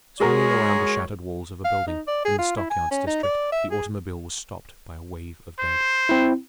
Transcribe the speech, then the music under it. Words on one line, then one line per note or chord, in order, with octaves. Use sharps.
Swinging around the shattered walls of a building, in the stockyards district, the automobile was stopped by a wave of dead.
G#3 F#4 G#4 A#4 C#5
F5
D#4
D5
G#4
F4
E4
G#5
C#4
D#4
D5
E5
G#4
C5
C4 E4